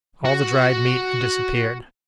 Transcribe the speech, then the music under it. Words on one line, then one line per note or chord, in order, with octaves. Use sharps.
All the dried meat had disappeared.
F#4 F#5